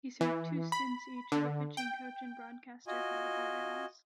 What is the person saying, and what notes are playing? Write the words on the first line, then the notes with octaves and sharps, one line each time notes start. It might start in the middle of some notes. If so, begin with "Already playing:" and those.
He served two stints each as a pitching coach and broadcaster for the Orioles.
E3
B5
D3
G5
F4 F#4 D#5 G#5